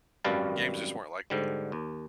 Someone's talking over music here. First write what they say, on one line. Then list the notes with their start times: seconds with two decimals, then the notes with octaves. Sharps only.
Games just weren't like that.
0.24 G#1 F#2 G3 B4 F5 A5
1.30 G#2 D3 G3
1.72 D#2